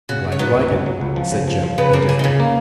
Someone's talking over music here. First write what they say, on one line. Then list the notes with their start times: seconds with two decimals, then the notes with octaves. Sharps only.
"I am glad you like it," said Joe, indifferently.
0.09 C#3 F#4
0.24 C#3
0.32 C#5
0.39 F#3 B3 B4
0.55 C#2
0.70 C#3
0.86 F#3
1.01 C#2
1.16 F3
1.32 C#3
1.48 F3
1.63 F3
1.78 C#3 B3 B4
1.93 C#3 A#3 A#4
2.09 C#3 G#4
2.19 D#4
2.24 C#3 C#4
2.40 A#3